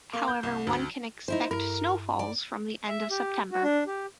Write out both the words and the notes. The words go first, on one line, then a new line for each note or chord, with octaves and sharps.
However one can expect snowfalls from the end of September.
A#3
G6
C2
D2
D#4 E4 C5
G2 A#4
D5
E5
G4
F#4
D4
G4